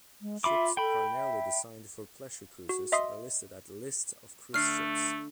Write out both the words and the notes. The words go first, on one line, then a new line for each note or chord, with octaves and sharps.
Ships primarily designed for pleasure cruises are listed at List of cruise ships.
G#3
F4 E5 B5 D6
A4 G5 B5
E5
F#4
D#5 E5 C6 D#6 C7
D3 A3 F6 C7